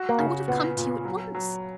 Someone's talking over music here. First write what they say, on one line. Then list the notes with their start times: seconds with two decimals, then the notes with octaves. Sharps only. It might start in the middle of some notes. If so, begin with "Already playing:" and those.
I would have come to you at once.
Already playing: F#4
0.09 A#3
0.18 C#3
0.48 A#2 B3
0.77 A#2
1.05 F#3
1.35 F#3